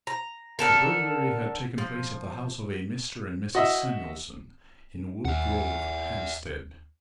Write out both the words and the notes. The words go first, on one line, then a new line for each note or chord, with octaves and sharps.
The burglary had taken place at the house of a Mr. and Mrs. Samuelson, in Wood Grove, Hampstead.
A#5
D3 A4 A#4
F3
F#4 D#5 E5
D#2 E5 F#5